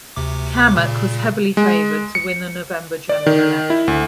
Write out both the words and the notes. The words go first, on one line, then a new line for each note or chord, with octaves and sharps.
Cammack was heavily favored to win the November general election.
D2 C3 D6
A#2 C#3
G#3
C#7
D5
D#3
E4
D2